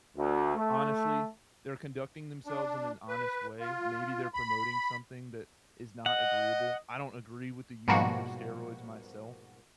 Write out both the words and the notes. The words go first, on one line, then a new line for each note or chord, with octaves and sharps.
honestly, they're conducting themselves in an honest way. Maybe they're promoting something that is not agreeable. I don't agree with the usage of steroids myself.
D2
A3
D4
B4
F4
B5
D#5 F#5
G#2 B2 F3 G3 A#3 F#4